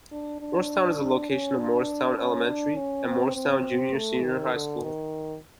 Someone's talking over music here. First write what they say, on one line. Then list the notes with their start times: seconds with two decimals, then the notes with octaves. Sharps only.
Morristown is the location of Morristown Elementary and Morristown Junior-Senior High School.
0.12 D4
0.41 D4
1.29 C#4
1.59 D4
2.17 C#4
2.47 D4
2.77 C#4
3.06 C4
3.35 C4
3.95 A3
4.24 D#3
4.53 D3
4.83 D#3